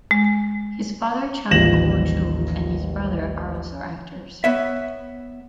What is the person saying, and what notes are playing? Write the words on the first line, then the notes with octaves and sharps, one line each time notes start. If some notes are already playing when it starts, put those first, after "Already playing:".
His father Chang Kuo-chu and his brother are also actors.
G#3
A1 D#2 F3 A#6 E7 F#7
B3 C#5 E5